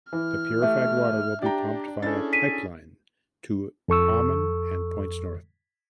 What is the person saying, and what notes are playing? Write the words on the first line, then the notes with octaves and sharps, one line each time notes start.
The purified water will be pumped via pipeline to Amman and points north.
E3 F6
A3 G4 E5
D4 G4 D5 G5 A#5
C#4 D4 E4 G#4 A4 A6
B6 D#7
F2 A4 C#6 E6